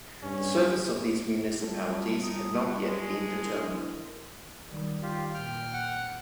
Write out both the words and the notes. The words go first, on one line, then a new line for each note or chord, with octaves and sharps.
The surface of these municipalities had not yet been determined.
G2 C#4
G3 F4 A5
D#4
F#4
G#3
D4 E4 A#4
D#3 G3
F4 G4
A#2 G5 F6
F#5